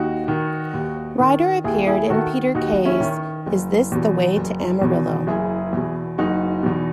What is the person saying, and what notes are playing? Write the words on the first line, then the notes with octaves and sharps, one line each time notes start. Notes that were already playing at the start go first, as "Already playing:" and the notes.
Ryder appeared in Peter Kay's Is This the Way to Amarillo?
Already playing: D#2 D#4 F#4
D#3
D#2
D#3
D#2 E4 G#4
E4 G#4
D#3 F#4 A4
D#2 D#4 F#4
C#4 E4
D#3
F#1
E2 B2
F#1
E2 B2
F#1 E4 G#4
E2 B2
F#1 D#4 F#4
E2 B2